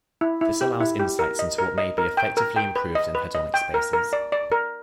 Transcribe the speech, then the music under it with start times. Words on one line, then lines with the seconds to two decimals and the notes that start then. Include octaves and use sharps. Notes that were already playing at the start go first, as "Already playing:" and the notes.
This allows 'insights into what may be effectively improved in hedonic spaces.
0.21 E4
0.41 E4
0.61 G4
0.80 E4
0.99 G4
1.19 A#4
1.39 D#5
1.58 A#4
1.78 D#5
1.98 A#4
2.17 G5
2.37 A#4
2.56 G5
2.76 B4
2.95 D#5
3.15 B4
3.35 D#5
3.54 G5
3.74 A#4
3.93 A#4
4.13 D5
4.32 D5
4.52 A#4